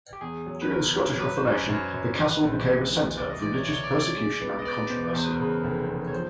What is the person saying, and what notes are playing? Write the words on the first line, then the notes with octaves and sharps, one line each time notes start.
During the Scottish Reformation, the castle became a centre of religious persecution and controversy.
G4
E2 G#4
F#3
B4
E2 A#4
F#3
F#3 B4
C5
F#2 D5
C#5
F#2 C#5
F#2
E3 B4
A#1
C5
A#1 D#5
E3
C2 D5
D#5
E3 D5
C#5
C2 C#5
D5
C3
D5
G#3
B3
D#5
B3 D5
B2 C5
E2 C5
B4
A#4
C#3 B4
F1
E2
C#5
F3 C5